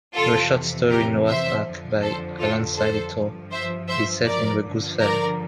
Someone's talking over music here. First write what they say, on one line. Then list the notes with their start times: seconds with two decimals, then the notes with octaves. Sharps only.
The short story "Noah's Ark" by Alan Sillitoe is set in the Goose Fair.
0.16 F2 C3 E3 F4 A4
0.90 G4 A#4
1.28 C5 E5
1.66 F2 D3 F3
2.02 A4 C5
2.39 F4 A4
2.77 A4 C5
3.14 G2 F3
3.51 C5 E5
3.88 C5 E5
4.27 A#4 D5
4.64 G2 D3 F3
5.01 A#4 D5